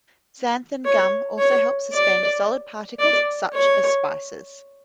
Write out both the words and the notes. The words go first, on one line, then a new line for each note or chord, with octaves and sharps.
Xanthan gum also helps suspend solid particles, such as spices.
C#5
C#5
D5
D5
C#5